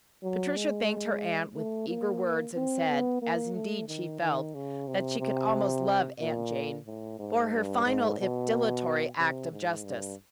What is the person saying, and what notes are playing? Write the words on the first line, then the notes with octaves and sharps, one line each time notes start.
Patricia thanked her aunt with eager words, and said, as indeed she felt, that she could almost love Aunt Jane for her final, if dilatory, act of justice.
F#3
G#3
A3
A#3
C4
B3
A#3
A3
D#3
D#3
C#3
C3
C3
A#2
A2
G#2
G2
G#2
B2
C3
G#2
G2